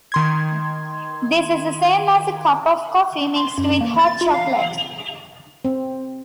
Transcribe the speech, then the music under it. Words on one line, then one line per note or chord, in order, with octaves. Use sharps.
This is the same as a cup of coffee mixed with hot chocolate.
D#3 C6 G#6
C6
F#2
A#3
A6
F4
F5
C4